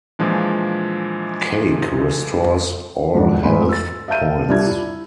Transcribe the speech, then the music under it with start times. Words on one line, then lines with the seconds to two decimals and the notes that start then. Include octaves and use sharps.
Cake restores all health points.
0.19 A#2 E3 F3 G#3 D4
3.15 G#1 C#2 F3 D4
3.43 G#2 A3 G#5 B5 C6
3.69 E6 A6
4.08 E5 F5 A5 G6 D#7
4.49 C2 D4 F4 E5 G#6
4.67 E4